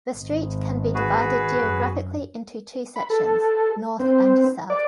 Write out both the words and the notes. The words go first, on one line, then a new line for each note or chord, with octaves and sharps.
The street can be divided geographically into two sections, North and South.
G#1 D#3
F#4 G#4 B4
F#2
B5
A4
C4
D5